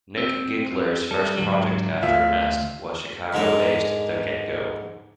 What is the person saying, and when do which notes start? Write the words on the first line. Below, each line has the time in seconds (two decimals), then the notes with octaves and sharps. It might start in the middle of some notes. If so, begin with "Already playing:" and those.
Nick Gigler's first project after Mest was Chicago-based The Get Go.
0.18 C4
1.11 G3 A4
1.37 G#2 D3 F#3
2.03 D2 F4 E5
3.33 G#2 D3 G#3 A#4